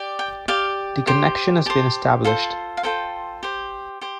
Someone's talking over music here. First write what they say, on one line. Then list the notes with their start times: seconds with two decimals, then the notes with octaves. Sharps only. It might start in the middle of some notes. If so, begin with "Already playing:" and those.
The connection has been established.
Already playing: G4 D5
0.19 G5
0.48 G4 D5 F5
1.07 G4 C5 G5
1.66 G4 C5 A5
2.24 F4 A4 C5
2.77 F5
2.83 F4 A4 C5 G5
3.43 G4 C5
4.01 G4 C5